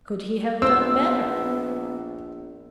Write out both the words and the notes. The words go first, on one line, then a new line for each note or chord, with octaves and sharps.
Could he have done better?
A#1 B3 C4 E6